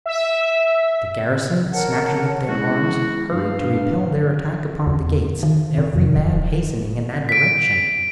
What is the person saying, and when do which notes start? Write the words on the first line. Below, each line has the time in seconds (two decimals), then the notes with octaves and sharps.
The garrison, snatching up their arms, hurried to repel their attack upon the gates, every man hastening in that direction.
0.06 E5
1.73 A#4 C#5 F#5 A5
2.48 G#3 B3 C#4 E4 F#4
3.32 G2 D4 F5
4.87 E2
5.43 D#3
5.78 C3
5.95 F2
6.17 D#1
7.29 B6 D7